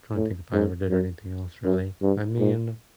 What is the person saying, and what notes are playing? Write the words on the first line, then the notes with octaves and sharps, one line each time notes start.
tryna think if I ever did anything else, really. I mean
A2
G#2
F#2
F#2
G2
G#2